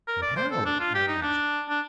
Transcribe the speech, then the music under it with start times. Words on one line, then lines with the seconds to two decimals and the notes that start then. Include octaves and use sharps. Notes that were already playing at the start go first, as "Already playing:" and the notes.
"But how?" I asked.
0.08 A#4
0.22 D5
0.36 C5
0.52 A4
0.66 D4
0.80 F4
0.95 G4
1.08 D#4
1.22 D4
1.69 D4